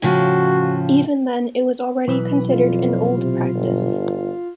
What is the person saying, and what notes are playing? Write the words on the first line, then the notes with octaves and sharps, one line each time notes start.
Even then, it was already considered "an old practice".
A2 C#3 F3 F#4
B1 E3 B4
F2 F4
C3
G1